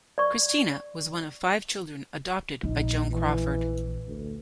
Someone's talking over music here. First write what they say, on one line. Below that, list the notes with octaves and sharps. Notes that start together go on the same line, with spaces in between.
Christina was one of five children adopted by Joan Crawford.
D5 C#6
A#1 D#4
E3
D2